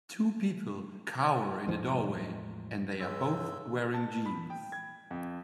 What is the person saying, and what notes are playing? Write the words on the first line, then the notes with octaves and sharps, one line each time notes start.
Two people cower in a doorway and they are both wearing jeans.
E2 A2 F3 G#3
C#2 G2 E6
A5
B5
G5
G#6
F2